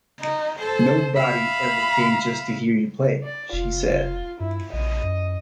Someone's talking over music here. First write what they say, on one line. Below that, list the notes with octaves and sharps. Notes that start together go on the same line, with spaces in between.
"Nobody ever came just to hear you play," she said.
D#4
A4 C5
E5 F5 B5
D5
F1 F4
G2 E4
A#1 D#5
F#2